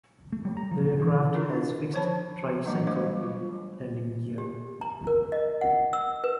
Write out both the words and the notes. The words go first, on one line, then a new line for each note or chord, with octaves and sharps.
The aircraft has fixed tricycle landing gear.
A3
G3
A#5
F3
B2
E3
D4 E4 F4 A#4
F3 C5 C#5 A5 B5
E3 F#3 G3 A#3 D4
G3 A3 C5 D#5
G3 F4
G4
A#5
A#4
D#5
F#5
E6
B4